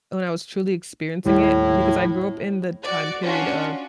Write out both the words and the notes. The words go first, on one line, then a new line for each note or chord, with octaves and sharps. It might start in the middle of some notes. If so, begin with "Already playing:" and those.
when I was truly experiencing it, because I grew up in the time period of,
D#2 A2 G3 E4
F#4 D5
C#4 D4 F4 F#4